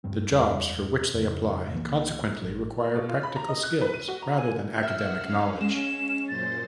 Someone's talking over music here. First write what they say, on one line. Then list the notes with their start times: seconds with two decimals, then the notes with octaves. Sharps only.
The jobs for which they apply consequently require practical skills rather than academic knowledge.
0.04 D1 G2 G3 C4
0.30 F#1 E2 G3
1.14 F2 C#3
1.73 C#2 E3 F#3 A#3
2.42 A1
2.95 B2
3.09 F4
3.23 B5
3.36 A#5
3.49 D#5
3.63 F#6
3.81 B4
3.94 D#7
4.08 F#4
4.22 A#5
4.38 G#5
4.83 E5 F#5 E6 F6
5.21 C#4 F5
5.61 G#3 C#4 E7
6.28 F#2 A#2 C5 A6